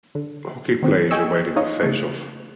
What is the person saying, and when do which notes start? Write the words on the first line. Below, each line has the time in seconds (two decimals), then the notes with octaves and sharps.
Hockey players awaiting a faceoff.
0.15 D3
0.83 D#3 C4
1.11 D#5 G5 G#5 C#6 E6
1.56 D#4 F4 C#5 D#5
1.83 C#3 A3